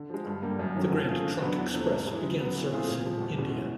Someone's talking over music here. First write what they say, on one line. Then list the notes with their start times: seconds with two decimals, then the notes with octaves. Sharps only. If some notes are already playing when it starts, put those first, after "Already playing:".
The Grand Trunk Express began service in India.
Already playing: D3
0.10 F3 G#3
0.25 G2
0.42 D3 G3 A#3
0.59 F#2
0.75 D#3 F#3 A3 C#4
0.91 F3
1.08 A3 C#4 F4 G#4
1.24 D3
1.40 F#3 B3 D4
1.57 E2
1.73 C3 F3 A3 D4
1.90 G#2
2.07 E3 G#3
2.23 C#3
2.40 F#3 B3
2.56 E3
2.72 A3 C4 F4 G#4
2.88 A#2
3.06 F3 G#3
3.21 E2
3.38 B2 G#3 C#4
3.55 E3